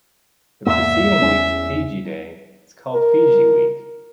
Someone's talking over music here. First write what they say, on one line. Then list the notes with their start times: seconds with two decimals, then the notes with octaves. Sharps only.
The preceding week to Fiji Day is called Fiji Week.
0.66 E2 G#2 A#3 E5
1.22 E2 C#4
2.94 A#4